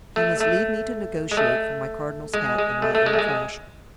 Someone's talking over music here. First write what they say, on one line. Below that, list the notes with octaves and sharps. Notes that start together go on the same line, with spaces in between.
"He must leave me to negotiate for my cardinal's hat in my own fashion."
A3
A3
G#3
A3
G#3
G#3
A3
A3
G#3
A3
G#3